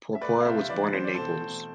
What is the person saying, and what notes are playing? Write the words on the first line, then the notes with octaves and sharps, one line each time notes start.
Porpora was born in Naples.
E5
A3 B4 D5
F5
C3 C5 E5
E5
E3 B4 D5
C4 C5
D5
B2 A4 C5
A3